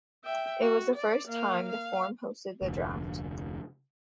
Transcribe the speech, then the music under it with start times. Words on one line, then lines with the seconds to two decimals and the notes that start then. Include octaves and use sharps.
It was the first time the Forum hosted the draft.
0.25 E5 G5
0.62 F#4
0.96 D5
1.28 A#3 F5
1.69 F5
2.62 F1 D2